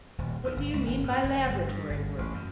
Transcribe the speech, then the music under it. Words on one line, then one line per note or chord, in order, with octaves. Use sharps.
"What do you mean by Laboratory Work?"
D#1
D#2
G1
C#2
G#1
F#2
F1
G1
G2
G1
A1
F#2